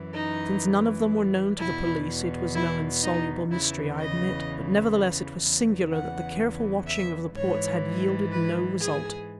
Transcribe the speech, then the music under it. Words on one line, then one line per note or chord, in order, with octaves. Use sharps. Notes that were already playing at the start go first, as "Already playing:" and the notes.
Since none of them were known to the police, it was no insoluble mystery, I admit; but nevertheless it was singular that the careful watching of the ports had yielded no result.
Already playing: F#2 E3
D#4
E2 B2 E4
E4
D#4
E2 C#3 E3 E4
D#5
E2 C#3 E3
F#5
E5
G#2 E3 C#5
B4
G#4